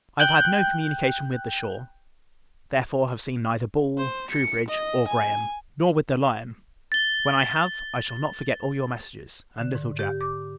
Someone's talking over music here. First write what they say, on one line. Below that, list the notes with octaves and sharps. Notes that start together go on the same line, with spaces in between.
I have had no communication with the shore; therefore, have seen neither Ball, Troubridge, or Graham: nor with the Lion; when I have, I shall not forget all your messages, and little Jack.
G5 F#6 G6
C5
C#7
D#5
G#5
A6 G7
D3
G#2
G4
D6